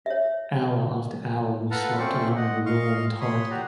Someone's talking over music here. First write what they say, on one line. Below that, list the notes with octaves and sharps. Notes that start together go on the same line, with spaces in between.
Hour after hour we slopped along by the roaring torrent.
C#5 E5
A4 B4 F5 F#5 A5 A#5
A3 C4 C#4 C5 D5 C#6
D#5 F#5
D#5 F5 C6 C#6 F6
C#5 B5 C6 D#6
F#4 G4 D5 A#5